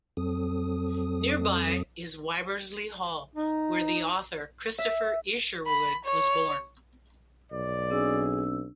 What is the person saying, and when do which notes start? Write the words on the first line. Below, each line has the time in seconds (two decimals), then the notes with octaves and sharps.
Nearby is Wybersley Hall, where the author Christopher Isherwood was born.
0.17 F2 F#3 C4 A4 D#6
3.36 D#4
4.78 E5
5.67 B5
6.05 C#5
7.52 B1 D5
7.90 C4 D4 G#4 E6